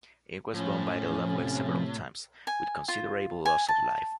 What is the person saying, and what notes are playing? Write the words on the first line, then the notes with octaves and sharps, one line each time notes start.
It was bombed by the Luftwaffe several times, with considerable loss of life.
A2 F3 C#4
C3
G#5
F4
G#5
A5